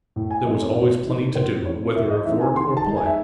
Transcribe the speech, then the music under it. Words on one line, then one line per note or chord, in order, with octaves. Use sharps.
There was always plenty to do, whether of work or play.
A2
G#5
E3 A3 C4 D#4 D#5
C#5
A2
E3 A3 C4 D#4
A2 C5
E3 A3 C4 D#4 C#5
A2 E5
D#5
E3 A3 C4 D#4 E5
G#5
D#3 C6
A5
G#3 D#4
G#5
E5